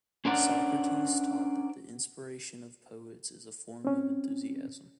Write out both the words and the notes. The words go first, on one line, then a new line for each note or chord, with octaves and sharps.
Socrates taught that the inspiration of poets is a form of enthusiasm.
C#4 D4 A#4 C5 D5 F#5
C4 C#4